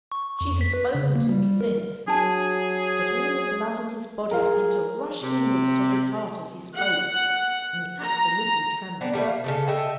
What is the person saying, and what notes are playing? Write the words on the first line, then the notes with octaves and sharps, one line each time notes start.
She has spoken to me since.' But all the blood in his body seemed to rush inwards to his heart as he spoke, and he absolutely trembled.
C#6
F2
B6
B4
C#3
A#3
G3
A#4
F#3 D4 G#4 A5
G#4 A#4 F5
C3
F#5
A#5
B3 C4 D4
G3 A3 A#3
F5
C#3 E3 A4
A4 D#5 E5 G5